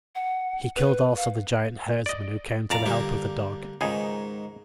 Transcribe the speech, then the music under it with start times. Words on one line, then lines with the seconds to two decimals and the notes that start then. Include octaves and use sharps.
He killed also the giant herdsman who came to the help of the dog.
0.15 F#5
0.76 B4
1.17 F5
2.06 D5 D#5
2.70 F2 D5 F5 A5 A#5
2.86 D3 G3 A#3
3.81 C#2 G#2 D#3 G#4